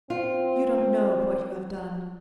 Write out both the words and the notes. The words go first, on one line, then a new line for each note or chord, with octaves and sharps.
You don't know what you have done.
C4 F4